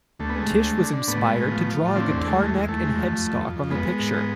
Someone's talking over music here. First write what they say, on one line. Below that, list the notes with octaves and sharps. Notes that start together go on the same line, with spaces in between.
Tish was inspired to draw a guitar neck and headstock on the picture.
D2 A3
B3
G#3 A3
D2
G#3
D3
D3
A2 B3
G#3
A2
F3
F3
A2
D3 C4
E2 C4
G#3 A3
E2 A3
E2 G#3
E2 A3
G#3
F2
F2
F2
F2
F2
G#3 B3
G#3
G#2
G#3